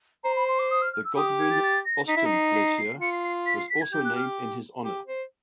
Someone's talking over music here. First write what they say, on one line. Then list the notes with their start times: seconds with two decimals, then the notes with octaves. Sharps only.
The Godwin Austen Glacier was also named in his honour.
0.24 C5 A#5
0.36 B5
0.48 C6
0.59 D6
0.70 D#6
0.82 F6
0.93 F6
1.04 E6
1.16 G4 D#6
1.39 G#6
1.50 A6
1.63 A6
1.85 A#6
2.08 D#4 B6
2.17 E4
2.25 D#4
2.31 C7
2.54 C7
2.77 C7
3.00 F4 C#7
3.12 C7
3.23 C7
3.46 B6
3.58 C7
3.69 B6
3.81 G#6
3.92 G4 G6
4.04 F#6
4.15 F6
4.84 G4
5.07 C5